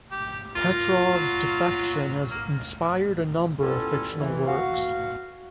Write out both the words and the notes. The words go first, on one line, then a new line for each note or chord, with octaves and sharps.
Petrov's defection has inspired a number of fictional works.
G4
F4 A#4
F#3
A#3
G3 B3 C#4 E4 F4 A4
E3
F#4 F5